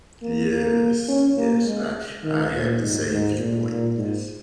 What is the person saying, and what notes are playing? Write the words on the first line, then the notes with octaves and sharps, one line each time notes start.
Yes, yes, I I have the same viewpoint. Yes.
A#3
A#3
C#4
A#3
G#3
D#3
A#2
G#2
G#2
A#2
A#2
G#2